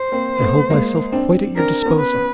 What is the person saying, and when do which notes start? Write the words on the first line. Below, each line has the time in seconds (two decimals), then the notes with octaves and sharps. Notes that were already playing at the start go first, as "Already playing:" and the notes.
I hold myself quite at your disposal.
Already playing: C5
0.12 A#3 C4
0.40 A3 B3
0.70 G#3 A#3
1.12 C4 D4
1.57 C4 D4 A#4
1.86 B3 C#4
1.99 B4
2.14 B3 C#4